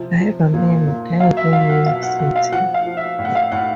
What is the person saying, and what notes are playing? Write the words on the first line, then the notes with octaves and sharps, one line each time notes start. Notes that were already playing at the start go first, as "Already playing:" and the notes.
Biberman died in New York City.
Already playing: C3 F3
F3
A#2
A#2
F#3 F5
E5
F#3 F5
F#5
B2 F5
F#5
B2 F#5
F5
F3 F#5
F5
F3
E5
A2
F#5
F5
A2 F#5